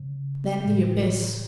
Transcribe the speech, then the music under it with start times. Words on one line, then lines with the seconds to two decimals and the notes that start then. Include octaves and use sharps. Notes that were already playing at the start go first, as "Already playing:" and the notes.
Then the abyss.
Already playing: C#3
0.61 A2 E3 G3